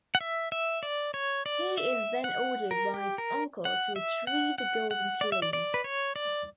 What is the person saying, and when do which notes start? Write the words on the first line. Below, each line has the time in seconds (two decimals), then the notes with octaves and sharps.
He is then ordered by his uncle to retrieve the golden fleece.
0.15 F#5
0.21 E5
0.52 E5
0.83 D5
1.14 C#5
1.46 D5
1.78 E5
2.24 F#5
2.71 A#4
2.94 G4
3.18 A#4
3.65 F#5
3.96 E5
4.27 F#5
4.58 F#5
4.91 F#5
5.21 D5
5.32 E5
5.42 D5
5.53 D5
5.74 B4
5.84 C#5
6.16 D5